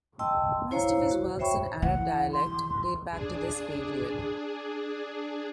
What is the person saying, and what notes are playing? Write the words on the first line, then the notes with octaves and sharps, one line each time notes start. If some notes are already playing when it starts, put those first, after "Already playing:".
Most of his works in Arab dialect date back to this period.
D#5 G5 A5 C6 E6
E4 C5 C#5 F5 A#5
F#4
C5 C#5 E5 G5 B5 C#6
E3 F#5
C6
D4 G#4